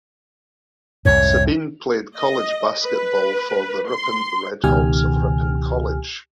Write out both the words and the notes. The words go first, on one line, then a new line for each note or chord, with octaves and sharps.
Sabin played college basketball for the Ripon Red Hawks of Ripon College.
C2 F2 G#2 C#5
D#5
B4
C6
C#2 B2 D#3 G4 G#5 F6